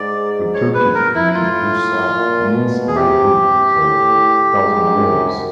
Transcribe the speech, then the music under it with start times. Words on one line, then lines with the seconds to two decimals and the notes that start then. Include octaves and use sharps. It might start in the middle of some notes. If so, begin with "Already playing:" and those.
The Turkic "Min Usa" means "my brook", or "thousand rivers".
Already playing: G#2 D5
0.54 C#5
0.74 B4
0.95 A#4
1.15 E4
1.34 A2 F4
2.16 A#2
2.55 B2
2.87 G#4
2.96 C3 G4
3.76 A2
4.58 G#2
4.97 F#2